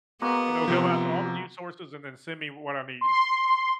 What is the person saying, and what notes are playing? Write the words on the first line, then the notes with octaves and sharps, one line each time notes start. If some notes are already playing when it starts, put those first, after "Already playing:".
And it'll go out to all the news sources and then send me what I need.
G#3 A#3 B3 F#4
C3 F3 F#5
C6